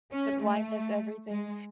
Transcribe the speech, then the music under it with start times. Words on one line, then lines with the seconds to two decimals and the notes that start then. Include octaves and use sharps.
The blindness, everything.
0.12 C#4
0.41 A3
1.29 G#3